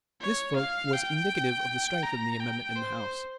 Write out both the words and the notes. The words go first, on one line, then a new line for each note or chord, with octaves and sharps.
This vote was indicative of the strength of the amendment in the House.
C#5
F5
G5
A#5
G5
C5